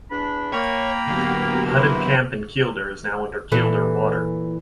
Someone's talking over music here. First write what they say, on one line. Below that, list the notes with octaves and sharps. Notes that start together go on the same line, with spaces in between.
The hutted camp in Kielder is now under Kielder Water.
E2 D4 B5
A#3 C#5 G5 A#5 B5
D3 F#3 B3 F#4 G4
E4 B4 C5 E5 F#5
A#2 E3 A4